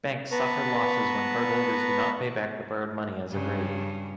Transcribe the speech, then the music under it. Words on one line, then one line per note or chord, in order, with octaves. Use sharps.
Banks suffer losses when cardholders do not pay back the borrowed money as agreed.
B3 B4 A5 A#5 C#6
G2 C#3